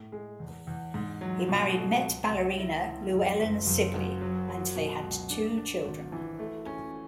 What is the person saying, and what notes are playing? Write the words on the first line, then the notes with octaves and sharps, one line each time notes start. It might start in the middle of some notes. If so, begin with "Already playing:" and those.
He married Met ballerina Louellen Sibley and they had two children.
Already playing: A2
G#3
E2
E2
G#2
F#3
B2
A3
C#2
C#2
E4
E3
F#2
F#1
F#1
F#2
F#3
F#3
B2
C#2
D4
D4
G#1
E3
A3
C#4